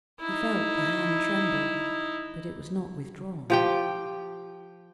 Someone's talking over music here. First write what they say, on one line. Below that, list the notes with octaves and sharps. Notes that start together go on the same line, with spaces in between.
He felt the hand tremble; but it was not withdrawn.
D#4 E4
F3 G4 G5